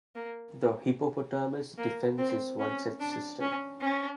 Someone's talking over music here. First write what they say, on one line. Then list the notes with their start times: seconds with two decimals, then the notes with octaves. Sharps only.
The Hippopotamus Defence is one such system.
0.15 A#3
1.78 A#3
2.18 C4
2.59 C#4
3.00 D4
3.41 C#4
3.81 C#4